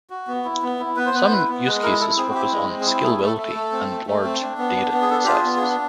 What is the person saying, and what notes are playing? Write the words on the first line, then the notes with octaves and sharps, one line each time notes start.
Some use cases focus on scalability and large data sizes.
F#4
B3
E4
B3
E4
B3 B4
C5
B3 B4
C5
E4 B4
B3
G#3 B4
E4 A#4
E4 A4
C4 G#4
F#4
E4 G4
G#3
C4
G#4
E4
A3 G#4
A3
A4
A3
A4
A3
C4
A3
A3
C4
D4
B3
D4
B3
G#4
D4 A4
F4 G4
G#4
B3
G#4
D4